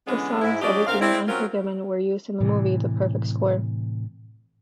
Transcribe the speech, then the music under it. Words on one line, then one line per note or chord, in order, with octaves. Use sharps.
The songs Everything and Unforgiven were used in the movie The Perfect Score.
D3 E3 G#3 B3 C#4
G#2 E4
F3 C#4 D4 G4 D5 D#5
D2 C4 A#4 F5
C4 D4 E4
F#3 C4 C#4 F4 A#4 C#5
A2 C3 E3